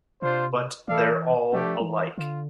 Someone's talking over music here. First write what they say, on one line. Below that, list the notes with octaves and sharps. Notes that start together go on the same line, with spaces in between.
But they’re all alike.
C3 D4 F4 C5
E3 E4 A4 D5 F5
F3 A3 D4 G4
F3
E3
D3 F4